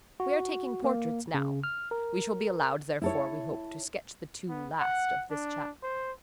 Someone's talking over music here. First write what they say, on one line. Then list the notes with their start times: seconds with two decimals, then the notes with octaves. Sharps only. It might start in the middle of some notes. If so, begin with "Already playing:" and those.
We are taking portraits now; we shall be allowed, therefore, we hope, to sketch the two last of this chapter.
0.20 F#4
0.84 A#3
1.34 C#3
1.64 F6
1.91 A#4
3.01 E4 A4 C#5
4.49 B3
4.80 F#5
5.31 D4
5.83 C5